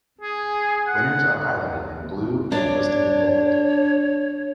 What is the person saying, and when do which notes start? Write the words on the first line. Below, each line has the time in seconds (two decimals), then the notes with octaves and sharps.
Winners are highlighted in blue and listed in bold.
0.21 G#4
0.87 F#5
2.52 D4 C#5